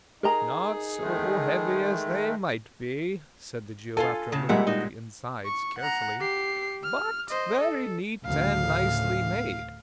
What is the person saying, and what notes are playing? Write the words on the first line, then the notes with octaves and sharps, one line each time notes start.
'Not so heavy as they might be,' said the Jew, after looking at the insides carefully; 'but very neat and nicely made.
D#4 G#4 A#4 D#5 A#5
D#3 G#3 A3
F4 A4 F5 G#5
A2 C#3 A5
F2 A#2 G3 G#3 E5 F#5
D#4 F#4
C#6
F#5 A#5
G4 C7
F6
C5 D#5
A4
D2 A2 C#3 F5